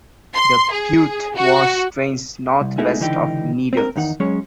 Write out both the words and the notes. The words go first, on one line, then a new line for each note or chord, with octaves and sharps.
The Piute Wash drains northwest of Needles.
C6
G#4
F#4
C2
G#3 A3 B3 D#4 E4 G#4
C#2 D3 E3 D#4 F#4 G4
C4 A#4
E2 D#3 D#4 F#5
F#3 G#3 C#4 C#5